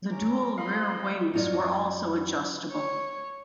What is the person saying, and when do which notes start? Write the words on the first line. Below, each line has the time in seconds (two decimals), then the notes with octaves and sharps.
The dual rear wings were also adjustable.
0.11 C#4 A#5 D6
0.58 C4 D#5 F5 B5 C6
1.34 F#2 F#3 F4 D5 D#5
2.72 C#5